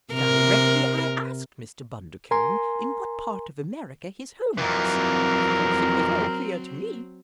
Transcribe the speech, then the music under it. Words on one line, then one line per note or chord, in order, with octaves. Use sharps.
Directly I asked Mr. Bundercombe in what part of America his home was, of course it was all clear to me.
C3 A#4
A#4 G#5 A#5 C6
F2 E3 F#3 C4 A#4